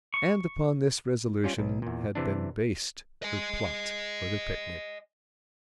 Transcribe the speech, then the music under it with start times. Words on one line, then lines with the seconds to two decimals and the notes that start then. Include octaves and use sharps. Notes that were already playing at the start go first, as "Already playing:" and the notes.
And upon this resolution had been based her plot for the picnic.
0.14 C#6
1.44 G3 C#4 F4
1.58 B1
1.82 E2 A#2
2.15 C3 E3 D4
3.23 D#5 G#5